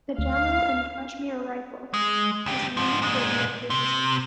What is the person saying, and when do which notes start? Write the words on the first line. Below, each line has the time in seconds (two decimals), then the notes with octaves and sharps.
The Jammu and Kashmir Rifles has a unique regimental history.
0.19 D2 F5
1.94 G#3
2.46 D2 G4
2.77 G#2 F3
3.02 A#2 G#3
3.70 C3